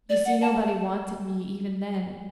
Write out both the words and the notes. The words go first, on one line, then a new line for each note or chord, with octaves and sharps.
You see, nobody wanted me even then.
D5
F#5
A5